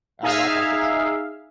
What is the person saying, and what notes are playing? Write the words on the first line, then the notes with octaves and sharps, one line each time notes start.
out of our pockets.
D#4 G#4 E5 F5